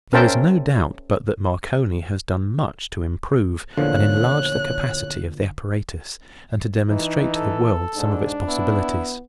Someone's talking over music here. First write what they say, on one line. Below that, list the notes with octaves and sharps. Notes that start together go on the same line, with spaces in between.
There is no doubt but that Marconi has done much to improve and enlarge the capacity of the apparatus and to demonstrate to the world some of its possibilities.
C#4 A#4 C5 E5 G5 A5
E2 A#2 D3 F3 C#5 F#6
E3 D#4
A4
G#2 D4
B3 E4